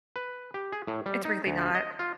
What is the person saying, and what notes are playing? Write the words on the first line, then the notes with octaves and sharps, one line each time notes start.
It's really not.
B4
G4
G#4
A2
G3
D#4
D2
D#5
F4